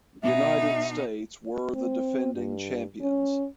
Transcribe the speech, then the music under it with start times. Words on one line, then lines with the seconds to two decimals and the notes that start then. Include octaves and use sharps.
United States were the defending champions.
0.23 B2 D#4 E5
1.75 C4
2.34 G2
3.01 C#4